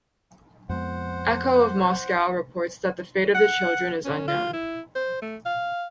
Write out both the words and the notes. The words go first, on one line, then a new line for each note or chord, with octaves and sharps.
Echo of Moscow reports that the fate of the children is unknown.
F2 G#3 B3 C5 F#5
F#5
C#4
F4
E4
C5
A3
F5